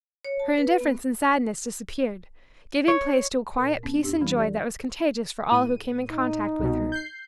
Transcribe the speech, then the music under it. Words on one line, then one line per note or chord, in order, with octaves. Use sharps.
Her indifference and sadness disappeared, giving place to a quiet peace and joy that was contagious for all who came in contact with her.
C#5
A5
B4
B3
C#5
A#2 A#4
B3 C#4
F2 D4 G4 E6
E3 G3 E4 B5
G4 A4 D5
A2 D#7
D#4
C2 B2
G6 C7